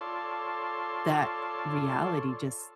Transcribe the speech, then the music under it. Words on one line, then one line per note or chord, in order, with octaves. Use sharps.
that reality just
F4 A4 C#5 D5 A5 C6